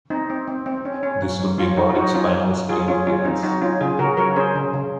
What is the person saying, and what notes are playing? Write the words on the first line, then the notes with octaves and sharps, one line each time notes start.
This would be Warrick's final screen appearance.
C4 D#4
C4
C4
C4
C#4
C#4
F#3
F#3
F#3 C#4 F4
F#3 D#4 F#4
F4
F#3 D#4 F#4
F#3 C#4 F4
F#3
F#3
F#3 F4 G#4
F#3 C#4 F4
F#3 C#4 F4
C4 D#4
F#3 D#4 F#4
F#3 C#4 F4
C#3 F4 G#4
C#3 F#4 A#4
F#3 A#4 C#5
C#4 G#4 C5
C#3
C#3